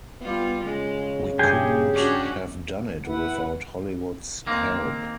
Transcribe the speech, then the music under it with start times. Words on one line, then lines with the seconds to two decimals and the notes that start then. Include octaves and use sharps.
We couldn't have done it without Hollywood's help.
0.21 G3 B3 F4
0.64 C#3 G#3
1.39 G2 G4 G#4 G5
1.94 C#4 D4 F#4
3.05 E4 B4 F#5
4.47 D#3 A#3 C4